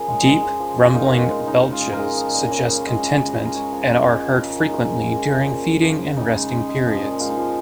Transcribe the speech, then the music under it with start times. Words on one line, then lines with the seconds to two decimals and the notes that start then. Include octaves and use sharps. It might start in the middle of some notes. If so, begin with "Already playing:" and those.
Deep, rumbling belches suggest contentment and are heard frequently during feeding and resting periods.
Already playing: C#3 F3 G#4 A#4 C#5
0.08 G#3
0.25 G#3
0.42 G#3
0.60 F3
0.77 C#3
0.85 F4
0.94 A#2 D#4
1.12 G#3
1.30 G#3
1.46 C#3 D#4
1.65 G#3
1.72 F4
1.81 G#3
1.93 A#4
1.98 G#3 G#4
2.16 F3
2.34 A#2
2.42 D#5
2.51 C#3 C#5
2.68 G#3
2.86 G#3
3.03 C#3 C#5
3.21 G#3
3.29 D#5
3.39 G#3
3.45 A#4
3.55 G#3 C#5
3.72 F3
3.78 C#5 D#5
3.90 C#3
4.07 G#3 C#5
4.25 F3
4.34 A#4
4.43 C#3
4.59 G#3 D#4
4.77 F3
4.85 C#4
4.95 C#3
5.11 G#3
5.29 F3
5.47 A#2
5.63 G#3
5.81 F3
5.99 C#3
6.16 C#3 D#4
6.33 G#3
6.51 G#3
6.68 G#3
6.86 F3
7.03 A#2
7.20 G#3 F4
7.29 D#4
7.37 F3 F4